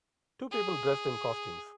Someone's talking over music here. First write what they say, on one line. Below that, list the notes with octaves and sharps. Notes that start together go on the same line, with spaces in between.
Two people dressed in costumes.
G#4